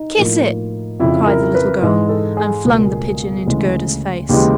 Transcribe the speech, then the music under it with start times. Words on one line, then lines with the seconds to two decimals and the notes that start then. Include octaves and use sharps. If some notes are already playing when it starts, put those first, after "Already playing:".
"Kiss it," cried the little girl, and flung the pigeon in Gerda's face.
Already playing: D#4
0.17 A2 F3 A#3
0.99 F2 C#3 F3 E4
1.27 A#4
1.55 B4
1.82 G#2 E3 G#3
2.09 A4
2.37 G#4
2.65 C#2 B2 G3 A#3
3.47 D2 C#3 E3 G#3
4.29 D#2 C#3 E3 G#3 G4